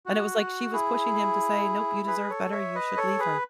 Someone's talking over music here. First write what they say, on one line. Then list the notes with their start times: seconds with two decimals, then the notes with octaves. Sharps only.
And it was, like, she was pushing him to say, "Nope. You deserve better. You should leave her."
0.06 F#4
0.73 E4 G#4
2.07 G#4 B4
2.30 A4 C#5
2.52 C#5 E5
2.75 B4 D#5
2.97 A4 C#5
3.19 G#4 B4